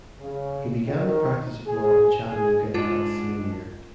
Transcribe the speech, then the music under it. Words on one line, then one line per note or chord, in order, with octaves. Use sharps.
He began the practice of law in Chattanooga that same year.
C#3
D#3
G#4
G#4
G#2 D4 F4